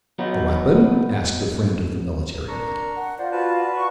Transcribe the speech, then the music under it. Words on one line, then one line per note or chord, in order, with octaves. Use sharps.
"The weapon?" asked the friend of the military man.
F#3 B3 D#4
D4 A#4 A#5 C#6
F#5
F4 C5 D5
F#4 B4 A5
C#6